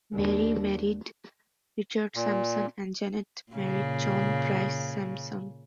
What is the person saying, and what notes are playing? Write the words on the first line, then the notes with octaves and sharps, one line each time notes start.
Mary married Richard Sampson and Janette married John Price Sampson.
D#2 D4
A#2
A#2 C#3